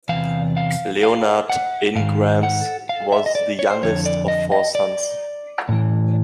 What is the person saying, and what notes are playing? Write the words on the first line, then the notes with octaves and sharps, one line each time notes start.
Leonard Ingrams was the youngest of four sons.
E2 C3 E3 F5
F5
F5
F#5
G#2 D#3 F5
F#5
F5
E5
D#5
D5
C#5
C5
F2 D3 C#5
D5
D#5
D#5
D5
A2 E3